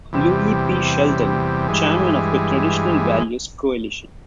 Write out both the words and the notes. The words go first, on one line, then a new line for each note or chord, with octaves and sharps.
Louis P. Sheldon, chairman of the Traditional Values Coalition.
E2 C3 G3
G2 E3 G#3